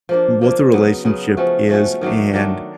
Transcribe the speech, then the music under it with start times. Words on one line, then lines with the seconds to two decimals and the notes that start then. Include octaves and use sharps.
what the relationship is and,
0.09 F3 A#3 D4
0.41 F3 A#3 D4
0.73 C#3 F#3 B3
1.05 C#3 F#3 B3
1.37 F3 A3 C#4 F#4
1.69 F3 A3 C#4 F#4
2.01 D#3 F#3 A3 D4
2.33 D#3 F#3 A3 D4